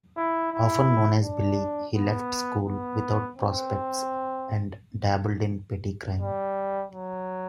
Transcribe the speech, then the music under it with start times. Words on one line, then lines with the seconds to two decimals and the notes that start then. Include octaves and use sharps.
Often known as Billy, he left school without prospects and dabbled in petty crime.
0.17 E4
0.53 E4
1.23 D4
1.94 B3
2.66 B3
3.36 C4
6.20 G3
6.92 F#3